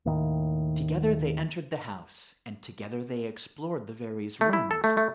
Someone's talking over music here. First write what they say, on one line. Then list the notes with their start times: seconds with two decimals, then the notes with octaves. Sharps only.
Together they entered the house and together they explored the various rooms.
0.05 D#2 A2 D#3
4.41 A3
4.53 E4
4.71 A4
4.84 A3
4.97 A3